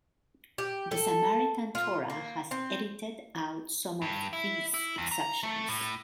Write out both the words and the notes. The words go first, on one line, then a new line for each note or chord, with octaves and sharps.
The Samaritan Torah has edited out some of these exceptions.
G4
A4
F4
A#3
C4
G2
E4
E4
E2
A#5
A3
A2